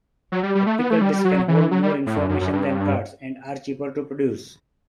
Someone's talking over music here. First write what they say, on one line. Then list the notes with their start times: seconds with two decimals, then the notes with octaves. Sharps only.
Optical Discs can hold more information than cards, and are cheaper to produce.
0.32 F#3
0.43 G3
0.55 G3
0.66 A3
0.79 B3
0.90 A3
1.01 G3
1.13 G3
1.25 F#3
1.48 E3
1.71 F#3
1.83 G3
2.06 A2
2.18 F#2
2.29 F#2
2.41 F#2
2.53 G2